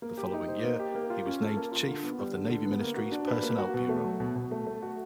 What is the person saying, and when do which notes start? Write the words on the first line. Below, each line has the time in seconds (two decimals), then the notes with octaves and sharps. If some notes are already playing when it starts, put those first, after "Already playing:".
The following year, he was named chief of the Navy Ministry's Personnel Bureau.
0.02 A#3
0.17 G4
0.33 D#4
0.48 C5
0.64 A#3
0.79 G4
0.95 A#3
1.10 F4
1.26 C#4
1.41 A4
1.57 A#3
1.72 F4
1.88 D3
2.03 B3
2.19 G3
2.35 D3
2.50 D3
2.65 B3
2.80 A#3
2.96 F#4
3.12 D4
3.27 B4
3.43 A#3
3.58 F#4
3.74 B2
3.89 A3
4.04 F#3
4.20 B2
4.36 B2
4.51 A3
4.67 A3
4.82 F#4